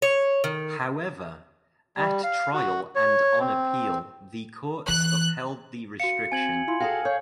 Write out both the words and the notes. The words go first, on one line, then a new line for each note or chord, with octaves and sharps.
However, at trial and on appeal the courts upheld the restriction.
C#5
D#3
G3
F5
F#4
C#5
C4
E3 F#6
F#4 F5 C#7
C4 G#5 G#6 F#7
E4 F4 F5 C6
F#4 G#4 A4 F5 G5
C#5 G6